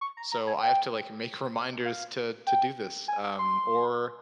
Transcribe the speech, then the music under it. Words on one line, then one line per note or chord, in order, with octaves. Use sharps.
So, I have to, like, make reminders to to do this, um, or,
C#6
A#5
A#5
G#5
G5
F5
G5
G#5
C6